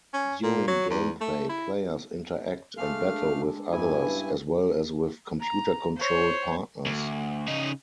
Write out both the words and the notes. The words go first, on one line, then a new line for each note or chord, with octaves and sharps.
During gameplay, players interact and battle with others, as well as with computer-controlled partners.
C#4
A#2
F#3
E2
A3
E4
G#3 A3 D4 A4 F5 F6
G2 B2 G3 E4 G#5
C#4
A#5
C5 C#5
D2
C#3 D#4